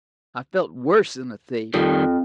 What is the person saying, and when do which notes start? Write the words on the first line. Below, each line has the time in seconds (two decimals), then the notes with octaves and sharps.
I felt worse than a thief.
1.74 F2 D#3 G3